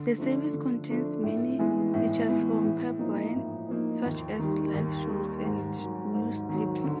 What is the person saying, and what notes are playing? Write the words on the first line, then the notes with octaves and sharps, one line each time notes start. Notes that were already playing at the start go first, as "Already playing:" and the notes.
The service contains many features from Pipeline, such as live shows and news clips.
Already playing: D3
F3 A3 D4
D3
F3 A3 D4
A2
E3 G#3 B3
A2
E3 G#3 B3
A2
F3 A#3 D#4
A2
F3 A#3 D#4
D#2
D#3 G3
D#2
D#3 G3
G#2
D#3 F#3
G#2
D#3 F#3
D3